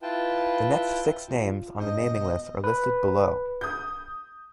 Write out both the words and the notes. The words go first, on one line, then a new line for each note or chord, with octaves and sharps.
The next six names on the naming list are listed below.
E4 F4 B4 G5 A5
F4
G2 G#3 D#5 G6
B2
B4
D#6 G6